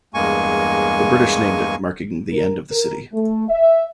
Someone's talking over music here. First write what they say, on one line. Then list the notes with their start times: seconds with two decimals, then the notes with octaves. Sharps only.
The British named it marking the end of the city.
0.14 E2 G2 G#3 A#3 G#5 C#6
2.32 A#4
2.72 A#4
3.13 A3
3.49 E5